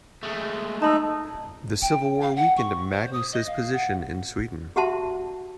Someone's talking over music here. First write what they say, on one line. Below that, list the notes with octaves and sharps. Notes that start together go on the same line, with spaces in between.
The civil war weakened Magnus's position in Sweden.
G#3 A3
D#4 A5 B5 E6
G5
F5
F#5
C#6
C5
D#6
D#5
F5
F#5
F#4 G4 E5 F#5 A5 C6